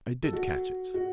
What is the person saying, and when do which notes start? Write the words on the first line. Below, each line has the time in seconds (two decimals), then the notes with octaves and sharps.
I did catch it.
0.23 A4
0.33 F#4
0.94 F#4